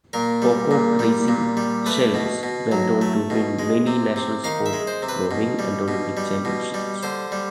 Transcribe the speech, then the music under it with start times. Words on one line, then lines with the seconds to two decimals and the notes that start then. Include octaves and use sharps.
Pocock Racing Shells went on to win many national sport rowing and Olympic championships.
0.13 A#2 A#4
0.42 G3
0.71 A#2
0.99 G3
1.28 A#2
1.57 G3
1.86 A3 B4
2.14 B2
2.43 B2
2.72 F#3
3.02 A3
3.30 B2
3.59 G#3
3.87 C3
4.16 C3
4.44 D#3 F5
4.66 E5
4.73 G#3
4.87 C5
5.02 C3
5.09 B4
5.31 B2
5.59 G3
5.88 B2
6.17 G3
6.45 B2
6.74 G3
7.03 D3 C5
7.32 G3